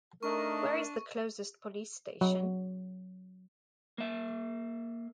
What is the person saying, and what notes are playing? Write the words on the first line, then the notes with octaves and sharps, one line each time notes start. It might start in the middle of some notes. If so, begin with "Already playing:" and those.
Where is the closest police station?
A3 D4 D#4 A#4 D#5 C#6
F#3
A#3 E5